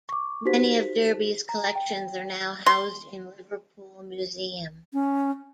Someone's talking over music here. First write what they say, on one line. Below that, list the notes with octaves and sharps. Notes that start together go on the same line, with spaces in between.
Many of Derby's collections are now housed in Liverpool museum.
C#6 D6
D#4 F#4 G4 C5 B6
A#5
G5
C6
C#4